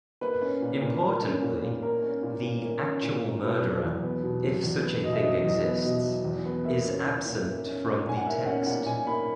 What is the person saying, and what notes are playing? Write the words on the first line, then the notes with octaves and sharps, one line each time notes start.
Importantly, the "actual murder," if such a thing exists, is absent from the text.
A#3 B4
C#4
A#2
A#2
A#3
C#4
A#2
A#2
A#3 A#4
C#4
A#2
A#2
A#3
C#4
A#2
A#2
B2 B4
F#3
E2
B3
B2
F#3
E2
B3
B2 D#5
E5
F#3 D#5
E2 D#5
B3
B2 D#5
F#3
E2
B3
A#3 E5
C#4
A#2
A#2
A#3
C#4
A#2
A#2 G#5
F#5
A#3 E5
C#4 F#5
A#2 F#5
A#2 G#5
A#3 B5